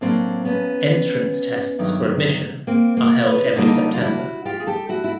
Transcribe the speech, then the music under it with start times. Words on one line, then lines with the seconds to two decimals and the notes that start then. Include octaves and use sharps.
Entrance tests for admission are held every September.
0.01 A2 F#3 A#3 C4 D4
0.45 B3 C#4
1.79 G2 D#3 F#3 A3
2.67 A#3 C4
2.97 A#3
3.26 B3
3.56 F2 D3 G3 A#3 D#4 F4
3.93 F4
4.01 E4 F#4
4.45 F4 G4
4.60 G#4
4.67 G4 A4
4.89 E4 F#4
5.04 E4